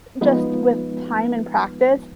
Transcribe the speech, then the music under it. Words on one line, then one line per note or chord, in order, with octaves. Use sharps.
just, with time and practice
F3 G#3 B3 D#4 F4 B4